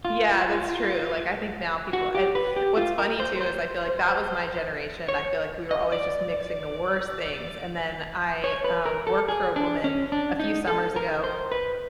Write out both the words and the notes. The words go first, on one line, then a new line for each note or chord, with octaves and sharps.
Yeah. That's true, like, I think now people and what's funny too is I feel like that was my generation. I feel like we were always just mixing the worst things and then I, um, worked for a woman a few summers ago,
F4
F#4
G4
B4
G4
F4
A#4
C5
C5
C#5
D#5
D5
C#5
B4
A#4
A4
G#4
D4
C#4
D4
D#4
A4
A#4
C5
B4